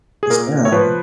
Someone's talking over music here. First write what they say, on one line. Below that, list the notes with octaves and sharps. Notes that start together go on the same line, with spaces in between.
Yes, ma'am.
G#4
A#2 A#4
C#5
F3 B4